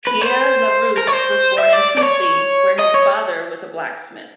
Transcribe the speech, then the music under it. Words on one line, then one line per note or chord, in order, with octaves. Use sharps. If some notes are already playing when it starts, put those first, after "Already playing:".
Pierre Larousse was born in Toucy, where his father was a blacksmith.
B4
C5
A#4
C#5
C5
E5
D5
D5
C#5
D#5
C#5